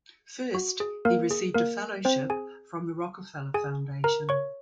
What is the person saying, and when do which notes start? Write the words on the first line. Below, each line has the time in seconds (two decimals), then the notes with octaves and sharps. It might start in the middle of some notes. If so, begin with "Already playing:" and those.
First, he received a Fellowship from the Rockefeller Foundation.
0.55 F#4
0.80 G#4
1.05 A#3 A#4
1.31 G#4
1.54 A#3 A#4
2.05 C4 C5
2.30 G#4 G#5
3.54 G#4 G#5
4.04 A#4 A#5
4.29 C#5 C#6